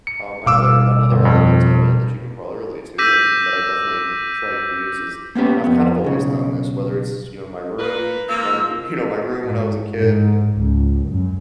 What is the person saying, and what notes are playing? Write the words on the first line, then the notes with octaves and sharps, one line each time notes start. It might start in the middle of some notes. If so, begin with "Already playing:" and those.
um another another element of it that you can probably relate to and and that I definitely try to use is and I've kind of always done this, whether it's, you know, my room, k my roo you know, my room when I was a kid,
C#7
B2 G3 F5 D6 E6
G1
F2
D6 E6 G6 A#6 B6 D#7
A#3 B3 C#4 G4
F2 B3
B1 C#3
A#3 A#4 B4
F3 A#3 E6
G#2
G#2
C#2
F#2